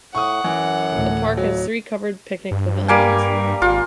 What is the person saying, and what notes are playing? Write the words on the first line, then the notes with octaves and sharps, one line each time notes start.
The park has three covered picnic pavilions.
A2 F#5 C#6 D#6
F#2 E3
D2 A2
F2 F#3
G2
G3 A#3 G#5
G#1 F4